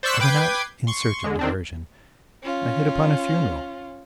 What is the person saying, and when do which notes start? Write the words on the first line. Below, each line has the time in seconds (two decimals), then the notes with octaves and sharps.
I went out in search of diversion, I hit upon a funeral.
0.03 C5 D5 C#6 E6 F#6 B6
0.20 B4 G5 D6 G#6 C7
0.87 C6 C#6
1.24 D3 G#3
1.39 D#3 C4 D4
2.43 C#4 F4